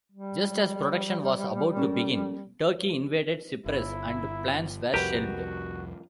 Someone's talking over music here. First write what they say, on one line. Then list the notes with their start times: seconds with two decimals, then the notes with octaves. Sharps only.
Just as production was about to begin, Turkey invaded Cyprus and plans were shelved.
0.12 G3
1.77 C#4 A4 A#4
3.66 G1 E4
4.94 C2 F2 F#4 G4 A#4 B4 A#5